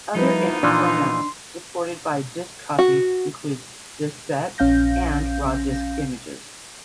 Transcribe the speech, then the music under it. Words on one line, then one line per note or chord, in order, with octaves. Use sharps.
Other image formats supported by Disk Copy include DiskSet and raw disk images.
F3 G3 A#3 B3 D#4 E4 B4
A#2 E3 F3 D4 C6
F#4
A#1 C#4 F5 G6 A#6